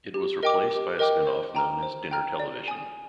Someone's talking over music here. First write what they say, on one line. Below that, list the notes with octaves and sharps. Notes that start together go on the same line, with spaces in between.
It was replaced by a spin-off known as Dinner Television.
G4
A#4 D#5 G5 D6
G4
A#4 D#5 G5 D6
C5
G5 A#5 F6
C5
G5 A#5 F6
D5
G#5 D#6